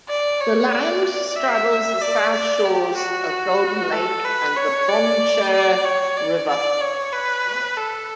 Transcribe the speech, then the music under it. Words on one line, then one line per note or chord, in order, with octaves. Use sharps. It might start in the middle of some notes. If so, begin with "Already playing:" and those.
The land straddles the south shores of Golden Lake and the Bonnechere River.
D5
C#5
D5
D5
E5
D5
D5
G4
F#4
A4
B4
C#5
D5
D5
C#5
D5
D5
C#5
B4
A4